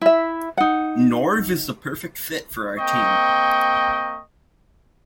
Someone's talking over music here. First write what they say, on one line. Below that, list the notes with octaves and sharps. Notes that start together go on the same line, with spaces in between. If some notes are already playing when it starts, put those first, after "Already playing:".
Norv is the perfect fit for our team.
E4 E5
D#4 F#5
A#3 C4 D#5 G5 C#6